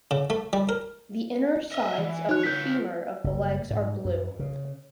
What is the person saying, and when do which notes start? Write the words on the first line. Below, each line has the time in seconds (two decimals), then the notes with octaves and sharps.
The inner sides of the femur of the legs are blue.
0.11 C#3
0.30 A3
0.53 G3
0.69 A#4
1.72 D#5 E5
1.98 E3
2.29 D#4 F#4 C#5 F#6
2.43 F4 C#5 G6 B6
3.24 F#1
3.71 G#2
4.05 F#2
4.40 C#3